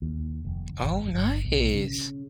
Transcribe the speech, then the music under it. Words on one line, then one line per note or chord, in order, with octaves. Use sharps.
Oh, nice.
D#2
F1
G#1
G1
B1
C#3